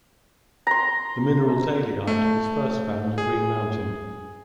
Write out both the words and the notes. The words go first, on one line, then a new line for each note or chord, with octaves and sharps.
The mineral dalyite was first found at Green Mountain.
A#5 C6
A3
G#4